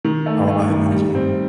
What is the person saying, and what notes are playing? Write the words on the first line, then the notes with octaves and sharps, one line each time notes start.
Oh, I imagine.
D#3
A3
A3
D#3
G3
C4